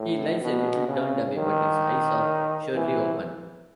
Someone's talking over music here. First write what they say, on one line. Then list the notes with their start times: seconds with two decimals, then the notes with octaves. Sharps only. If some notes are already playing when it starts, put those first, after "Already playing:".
He lies a little turned away, but his eyes are surely open.
Already playing: A2
0.41 B2
0.87 C#3
1.35 D#3
2.75 E3